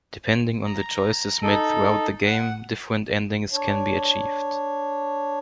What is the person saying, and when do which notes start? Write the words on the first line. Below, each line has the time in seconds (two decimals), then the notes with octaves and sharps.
Depending on the choices made throughout the game, different endings can be achieved.
0.65 A#5
1.43 D#4 A4
2.26 F#5
3.53 D4 C#5